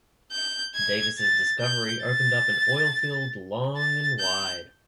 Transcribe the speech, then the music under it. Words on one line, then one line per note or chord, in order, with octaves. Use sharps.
Davis' discovery opened up an oilfield long and wide.
G6
G#6
A6
G6
A6
A6
G6